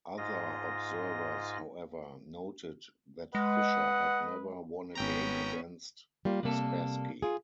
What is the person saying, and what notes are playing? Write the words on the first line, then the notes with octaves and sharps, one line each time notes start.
Other observers, however, noted that Fischer had never won a game against Spassky.
G#2 F4 D#5 A#6
G#3 B4 D#5 F#5
G#1 B3 C#4 G5 A#5
G3 A#3 F4
C3 G3 A#3 A4
F4 G#4